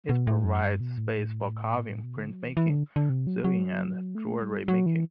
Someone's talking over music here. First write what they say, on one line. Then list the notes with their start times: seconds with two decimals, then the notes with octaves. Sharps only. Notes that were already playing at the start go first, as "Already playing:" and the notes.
It provides space for carving, print making, sewing and jewellery making.
0.09 B2
0.27 A2
0.44 F#2
0.62 G2
0.80 B2
0.98 A2
2.04 B2
2.17 D3
2.30 F#3
2.43 E3
2.57 E3
2.69 D3
2.96 D3
3.09 C3
3.27 F#3
3.44 F#3
4.15 A3
4.42 G3
4.68 F#3
4.86 E3